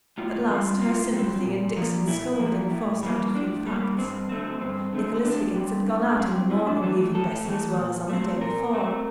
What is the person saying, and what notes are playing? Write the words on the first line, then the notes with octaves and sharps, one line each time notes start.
At last, her sympathy, and Dixon's scolding, forced out a few facts. Nicholas Higgins had gone out in the morning, leaving Bessy as well as on the day before.
A2 F4
G3 C4
A2 F4
G3 C4
A#2
F3 A#3
A#2 E4
F3 A#3
A2
G3 A#3
A2 D4
G3 A#3
G2 C4
D3 A3 C4
G2 C4
D3 A3 C4
A2 D4
G3 C4
A2
G3 C4
A2 E4
D4
E3 A3 D4
A2 A4
E3 A3
A#2
A3 C4
A#2 A#4
A3 C4